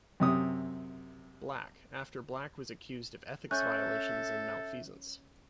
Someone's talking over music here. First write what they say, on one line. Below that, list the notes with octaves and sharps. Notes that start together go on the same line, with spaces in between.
Black, after Black was accused of ethics violations and malfeasance.
F#2 C3 D#6
C#4 A4 E5 F#6 G6